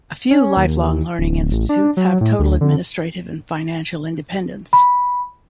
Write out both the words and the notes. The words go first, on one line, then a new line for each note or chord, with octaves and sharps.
A few lifelong learning institutes have total administrative and financial independence.
C#4
D#2
D1
A1
D4
F#3
A2
D2
D3
B5